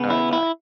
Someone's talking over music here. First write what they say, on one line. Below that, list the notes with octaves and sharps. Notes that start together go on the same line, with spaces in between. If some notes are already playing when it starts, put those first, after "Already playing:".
Alright, bye.
Already playing: C#3 B3
E4
E4